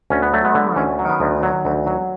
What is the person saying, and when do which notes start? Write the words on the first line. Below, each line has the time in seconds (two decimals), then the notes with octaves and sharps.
oh my god.
0.10 D2 C#4
0.22 B3
0.33 F#3 A3
0.45 B3
0.55 D3
0.76 D2 C#4
0.99 F#3
1.09 B3
1.20 D2
1.43 F#3
1.65 D2
1.86 F#3